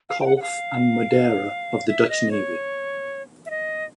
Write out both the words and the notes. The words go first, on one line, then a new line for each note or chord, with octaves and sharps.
Kolff and Modera of the Dutch Navy.
F5
G5
F#5
F#5
F5
E5
D#5
C#5
E5
D#5